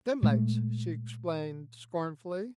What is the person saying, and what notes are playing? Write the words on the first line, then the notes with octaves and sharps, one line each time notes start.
"Stim'lates," she explained scornfully.
A#2 G#3 A3